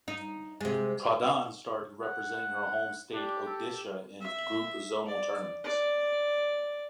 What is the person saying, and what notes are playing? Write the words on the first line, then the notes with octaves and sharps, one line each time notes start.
Pradhan started representing her home state Odisha in group zonal tournaments.
D#4
C3 G#3
F#5
D4 G4
A4
E5
D5
D5